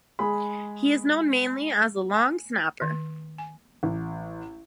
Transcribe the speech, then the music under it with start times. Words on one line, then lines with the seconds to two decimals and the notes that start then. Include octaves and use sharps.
He is known mainly as a long snapper.
0.19 G#3 G#4 B5
2.14 G#5
2.82 D#3
3.38 G#5
3.83 A1